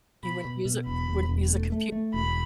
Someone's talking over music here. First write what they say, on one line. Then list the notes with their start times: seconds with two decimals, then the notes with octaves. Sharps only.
He wouldn't use it wouldn't use a compu
0.23 B2 B5
0.45 B2
0.65 B2
0.86 E1 B5
1.08 E2
1.29 E1
1.51 A3
1.72 A3
1.92 A3
2.14 E1 B5